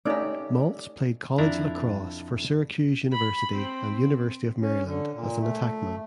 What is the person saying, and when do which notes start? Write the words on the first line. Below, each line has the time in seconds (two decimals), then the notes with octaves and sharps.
Maltz played college lacrosse for Syracuse University and University of Maryland as an attackman.
0.05 A3 C#4 D#4 G4 D5
1.38 F2 D4 E4 A#5
3.13 B5
3.53 C4
4.61 C#4
4.84 D3
5.14 A#2
5.39 A3